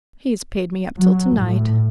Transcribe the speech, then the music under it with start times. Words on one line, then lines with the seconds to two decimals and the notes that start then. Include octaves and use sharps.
He's paid me up till to-night.
0.99 F#3
1.38 A2